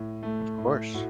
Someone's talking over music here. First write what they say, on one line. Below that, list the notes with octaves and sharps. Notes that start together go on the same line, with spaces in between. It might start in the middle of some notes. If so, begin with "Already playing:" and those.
Of course.
Already playing: A2
A3
A2
A2 F#4